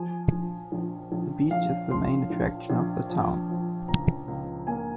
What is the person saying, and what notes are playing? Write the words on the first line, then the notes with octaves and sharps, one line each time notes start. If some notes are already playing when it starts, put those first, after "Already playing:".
The beach is the main attraction of the town.
Already playing: F3 G#5
A#1
A#1
A#1
A#1 F5
F3 C6
A#1
A#1
F3
F3
C#2 A#5
C#2
A#3 G#5